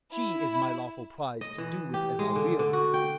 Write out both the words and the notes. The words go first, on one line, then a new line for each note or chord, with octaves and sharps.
She is my lawful prize to do with as I will.
E4
D#5
E3
G4
G#3
D3
D3
F#4
G5